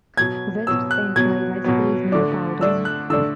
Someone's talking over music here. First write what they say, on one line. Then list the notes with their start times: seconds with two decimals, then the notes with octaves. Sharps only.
West Saint Mary High School is near Baldwin.
0.17 B2 F#3 B3 G#6
0.67 B2 F#3 B3 E6
0.91 F#6
1.16 B2 F#3 B3 G#6
1.64 B2 F#3 B3
2.12 D3 A3 D4 D6
2.61 D3 A3 D4 E6
2.85 F#6
3.10 D3 A3 D4 E6